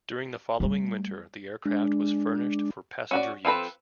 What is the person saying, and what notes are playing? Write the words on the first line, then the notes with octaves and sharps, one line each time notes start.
During the following winter the aircraft was furnished for passenger use.
G3 A3
G#3 D4
C#4 F#4 D5
F3 C4 A4 B4